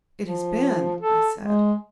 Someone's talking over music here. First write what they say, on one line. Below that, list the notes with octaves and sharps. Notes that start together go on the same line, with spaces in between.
"It has been," I said.
F3
A4
G#3